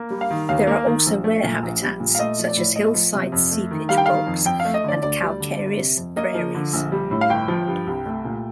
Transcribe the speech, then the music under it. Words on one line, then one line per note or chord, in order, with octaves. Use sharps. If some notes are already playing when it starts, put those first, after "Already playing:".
There are also rare habitats, such as hillside seepage bogs and calcareous prairies.
Already playing: A#3
G3
F5
D#3
D#2 F5
A#3
D#3
A#1
A3
A#2
A#1
G3
A#2
F5
A3 D#5
F3
D5
A2
A3 D#5
F3
C3
F2
A3
D#3
G3 F5
G5
D#3 F5
F2
F2 G5
F5
A3
D#5
D3 D5
D2 D5
G3
D3
G1
C3
F2
A#3 D#5
F3
D3
A#1
G3
A2
F5
G1 G5
F3
G2
C2
A3
A#2